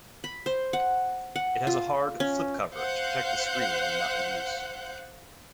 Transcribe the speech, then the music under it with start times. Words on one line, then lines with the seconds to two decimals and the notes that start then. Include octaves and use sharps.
It has a hard flip-cover to protect the screen when not in use.
0.24 B5
0.46 C5
0.73 F#5
1.36 F#5
1.67 F4
2.20 C#4
2.74 C5 F5 F#5 F#6 G6